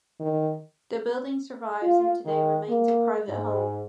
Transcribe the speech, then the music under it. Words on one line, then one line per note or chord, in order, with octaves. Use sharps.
The building survives and today remains a private home.
D#3
F4
D#3
A#3
G#2